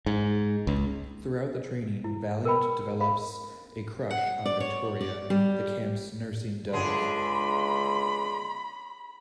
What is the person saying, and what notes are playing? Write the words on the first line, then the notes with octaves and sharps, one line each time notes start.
Throughout the training, Valiant develops a crush on Victoria, the camp's nursing dove.
G#2
C#2
E4
A#4 B4 G5 B5
F5 B5
F#5
D5
C#5
D5
G3
C#2 D3 G#4 B5 C6